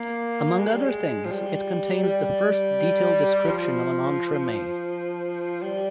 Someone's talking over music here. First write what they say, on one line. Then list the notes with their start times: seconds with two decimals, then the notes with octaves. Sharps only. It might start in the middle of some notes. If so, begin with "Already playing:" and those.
Among other things, it contains the first detailed description of an entremet.
Already playing: A#3
0.59 G#3
0.73 G3
0.85 G#3
1.25 F3
1.31 G3
2.03 G3
3.48 F3
5.63 G3